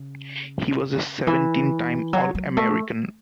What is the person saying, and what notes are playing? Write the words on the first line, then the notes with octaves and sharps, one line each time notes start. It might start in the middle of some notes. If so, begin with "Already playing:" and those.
He was a seventeen-time All-American.
Already playing: C#3
E3
F#3
F#3
A3